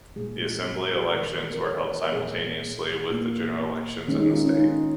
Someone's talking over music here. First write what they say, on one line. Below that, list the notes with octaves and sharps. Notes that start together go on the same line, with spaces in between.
The assembly elections were held simultaneously with the general elections in the state.
A#2 G#3 G#4
D#3 G#3 A#4
A#4
C#5
C#5
C#5
A#4
A#2 F3 G#3 G#4
A#2 A#3 F4
D#3 G#3 C#4
D#4
F4
C#4
D#4